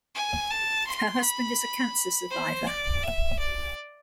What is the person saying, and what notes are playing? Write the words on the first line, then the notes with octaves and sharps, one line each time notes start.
Her husband is a cancer survivor.
G#5
A5
C6
B5
C5
D5
E5
D5